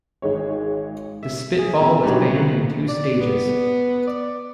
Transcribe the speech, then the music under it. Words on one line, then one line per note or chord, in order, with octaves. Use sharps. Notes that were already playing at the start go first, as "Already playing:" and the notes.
The spitball was banned in two stages.
G#1 G#3 C#5
E5
G#4
A#2 B3 C#4 E4
B2 D3 F#3 G3 D#4 G4
C#3 F#5
D5
B3
D5